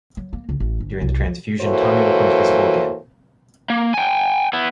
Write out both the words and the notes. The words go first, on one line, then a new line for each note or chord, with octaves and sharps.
During the transfusion Tommy becomes visible again.
F#3
A#3
C#2
A1
G1
C2
F3
E3 A#3 F#4 A4 C5 C#5
A#3
G5 G#5
B3 E4